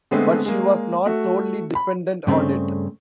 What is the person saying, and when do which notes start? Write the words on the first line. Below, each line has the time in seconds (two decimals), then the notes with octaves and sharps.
But she was not solely dependent on it.
0.11 D3 G#3 A3 B3 C4
0.46 G#3 A#3
1.06 A3 F#4
1.75 B5
2.27 G2 C#3 A3 C4